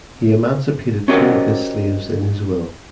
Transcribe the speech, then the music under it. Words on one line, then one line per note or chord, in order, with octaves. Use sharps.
He emancipated two of his slaves in his will.
C#4 F#4 G4 A#4 C5 D#5